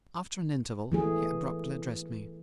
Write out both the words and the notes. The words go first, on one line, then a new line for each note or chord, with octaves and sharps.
After an interval, he abruptly addressed me.
E3 A3 G#4